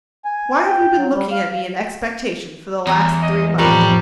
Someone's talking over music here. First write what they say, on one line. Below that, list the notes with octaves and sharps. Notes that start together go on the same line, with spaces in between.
Why have you been looking at me in expectation for the last three months?
G#5
G5
F#3
G3
F5
E2 G#5 A#5 D#6
D#5
F2 A2 F3 G3 A#4 B4 C#5